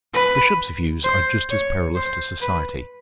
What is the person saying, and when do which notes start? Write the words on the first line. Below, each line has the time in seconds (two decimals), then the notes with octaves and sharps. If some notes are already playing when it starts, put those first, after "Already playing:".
The Bishop's views are just as perilous to society.
0.14 B4
1.04 C5
1.50 C#5
1.95 C5
2.41 B4